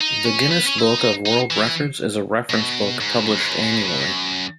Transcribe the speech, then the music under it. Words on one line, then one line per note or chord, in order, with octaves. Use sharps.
The Guinness Book of World Records is a reference book published annually.
D#4
C#4
B3
C#4
E4
D#4
D#4
D#4
E3
B2
G#2
F#2
G#2
F#2
G#2
A2
C#3
B2
F#2